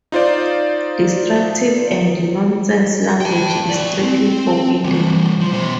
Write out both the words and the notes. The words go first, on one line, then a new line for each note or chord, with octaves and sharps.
Destructive and nonsense language is strictly forbidden.
D#4 F4 C5 D5
G5 A5
E4 D5
C4
E3 G3
F3
B2 C5